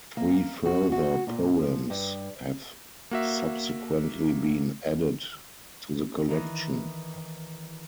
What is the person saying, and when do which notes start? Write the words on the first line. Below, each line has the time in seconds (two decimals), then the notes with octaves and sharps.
Three further poems have subsequently been added to the collection.
0.17 A#3
0.65 F#4
0.92 F#4
1.27 A#2
1.58 F3
1.90 G2
3.11 A#3 F#4 E5
6.29 D#3 E3 D#4